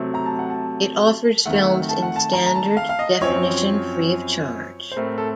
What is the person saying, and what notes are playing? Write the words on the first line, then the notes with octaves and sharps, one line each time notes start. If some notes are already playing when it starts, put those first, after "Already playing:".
It offers films in standard definition free of charge.
Already playing: C3 F#3 A3 C4
A#5
A5
F#5
A5
F2 D#3 A3 F#5
A5
F#5
A5
A#5
A#5
A5
F5
F5
D#5
F#2 F3 C4 C#5
C5
A2 A3 C4 A#4
A4